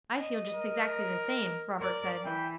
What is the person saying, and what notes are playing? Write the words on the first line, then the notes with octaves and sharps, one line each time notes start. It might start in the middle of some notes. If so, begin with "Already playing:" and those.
'I feel just exactly the same,' Robert said.
D#5
A#4
A#4 D5
E3 G5